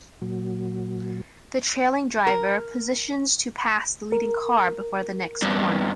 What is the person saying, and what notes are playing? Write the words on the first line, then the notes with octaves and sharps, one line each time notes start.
The trailing driver positions to pass the leading car before the next corner.
A#2 F#3
A#4
A#4
E2 G2